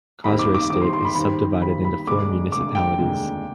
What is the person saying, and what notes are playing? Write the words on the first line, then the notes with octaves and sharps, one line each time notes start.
Kosrae State is subdivided into four municipalities.
D#2 D#3 G3 C4 D#4 B5
D6
D6
D#2 D#3 G3 C4 D#4 D6
C6
C6
B5
D#2 D#3 G3 C4 D#4 B5
D#2 D#3 G3 C4 D#4 B5
B5
F1 D#2 D3 G#3 D6
F1 D#2 D3 G#3 D6
G5
F1 D#2 D3 G#3